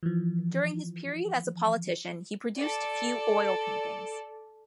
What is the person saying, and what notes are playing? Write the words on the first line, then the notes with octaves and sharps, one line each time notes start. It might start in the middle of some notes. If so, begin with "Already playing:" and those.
During his period as a politician, he produced few oil paintings.
E3 F3
A4 D5